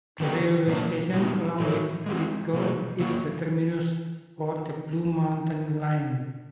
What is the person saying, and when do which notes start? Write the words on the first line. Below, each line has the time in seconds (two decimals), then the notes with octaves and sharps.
The railway station, along with Lithgow, is the terminus for the Blue Mountains Line.
0.20 D#3 F#3 B3 E4 G4
0.67 A#2 F#3 A#3 D4
1.13 A#2 G3 B3 D#4 G4
1.60 A2 F#3 A3
2.06 G#3 C4 E4
2.53 B2 F#3 A#3 D#4 G#4
3.00 C#3 F#3 A#3